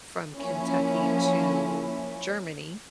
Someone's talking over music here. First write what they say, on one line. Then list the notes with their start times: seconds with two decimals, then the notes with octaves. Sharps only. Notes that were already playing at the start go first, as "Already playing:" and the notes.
from Kentucky to Germany
0.37 F3 A#3 C#4 E4